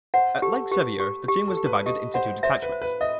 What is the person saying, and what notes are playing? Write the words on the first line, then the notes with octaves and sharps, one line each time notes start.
At Lake Sevier, the team was divided into two detachments.
C5 F#5
G4 A4
G4 B4
G4
G4
A4
G4
B4
G4 D#5
C5 F#5
C5 E5
B4
C5
B4
D#5 E5